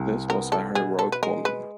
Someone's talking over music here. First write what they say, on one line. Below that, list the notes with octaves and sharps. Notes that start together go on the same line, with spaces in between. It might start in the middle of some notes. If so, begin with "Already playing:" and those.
This was a heroic woman.
Already playing: C2
B3 A#4
A4
B2 G#4
A4
B4
G#3 A#4
B4